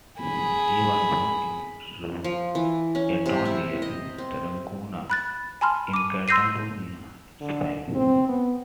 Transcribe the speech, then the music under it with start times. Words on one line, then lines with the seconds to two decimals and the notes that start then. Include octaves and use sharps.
He was born in Reus, a town near Tarragona, in Catalonia, Spain.
0.20 G#4 B5
2.24 F3
2.55 E3
2.95 C#4
3.26 C3
3.45 E4
3.82 D#5
4.18 C4
5.10 B5 F#6 A6
5.61 G#5 A5 B5 C6 F6
5.93 D6 D#7
6.28 C6 E6 G6 A#6 C7 D#7
7.41 D3
7.95 C4
8.28 B3